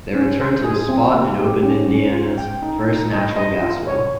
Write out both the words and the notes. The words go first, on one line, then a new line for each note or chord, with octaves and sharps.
They returned to the spot and opened Indiana's first natural gas well.
C#4
C5
G#4
C4
A#3
G4
C#4
C#4
F4
G5
D#4
D#4
D#5
D#5
F4
C#5